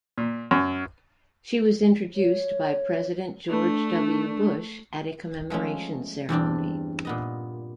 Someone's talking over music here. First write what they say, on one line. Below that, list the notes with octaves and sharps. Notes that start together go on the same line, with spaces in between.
She was introduced by President George W. Bush at a commemoration ceremony.
A#2
F#2
C#5
A3 D4
F3 G#3 A3 C#4
E2 G2 C4 D4
A#2 B3 D#5